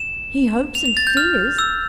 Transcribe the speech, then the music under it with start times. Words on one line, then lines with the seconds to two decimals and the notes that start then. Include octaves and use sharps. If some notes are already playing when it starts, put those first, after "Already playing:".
'He hopes and fears.
Already playing: E7
0.75 F7
0.86 F7
0.97 A6
1.07 G6
1.17 F6
1.59 E6